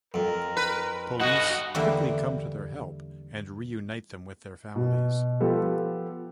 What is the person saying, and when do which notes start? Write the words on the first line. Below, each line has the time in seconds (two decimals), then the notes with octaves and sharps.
Police quickly come to their help and reunite them with their families.
0.14 F2 A#4
0.57 B4
1.20 G2 B2 F#4 D#5 F#5
1.75 E2 D3 G3 A#3 E5
4.76 B2
5.40 F3 B3 G4 A4 B4